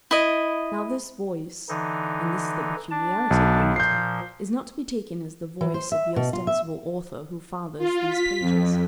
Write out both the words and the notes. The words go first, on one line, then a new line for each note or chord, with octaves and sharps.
Now, this Voice, and this is the peculiarity of the matter, is not to be taken as the Voice of the ostensible author who fathers these pages.
E4 D#5
D3 E3 D#4
D4 A5
B1
A#2 F3 G6 C7
E3
C5
E5
B2
F4
E5
F4
B6
F2